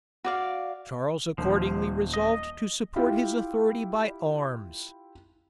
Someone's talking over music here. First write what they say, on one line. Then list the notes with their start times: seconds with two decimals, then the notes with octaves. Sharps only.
Charles accordingly resolved to support his authority by arms.
0.24 F#4 D5 F5
1.38 D#1 F3
2.14 D#5
2.96 E4 F4 G4 F5